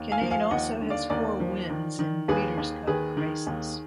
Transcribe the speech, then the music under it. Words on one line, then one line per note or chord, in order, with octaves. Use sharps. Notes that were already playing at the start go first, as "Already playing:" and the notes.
Kinane also has four wins in Breeders' Cup races.
Already playing: D#2
F5 G#5
F3
F5 G#5
D#2 D#5 F#5
D3
D5 F5
D#2 A#4 D5
F3
D#3
D#3
D#2 G#4 B4
D#2
D#3 G#4 B4
D#3
D#2